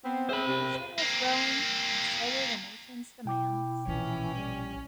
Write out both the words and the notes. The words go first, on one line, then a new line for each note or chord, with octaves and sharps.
The nation was growing, and so were the nation's demands.
B3 C4
C4 G#4 C5 E5 B5
C3
A#3 C4
B2 E4 G5 D6
A#1 E3 C#4
G3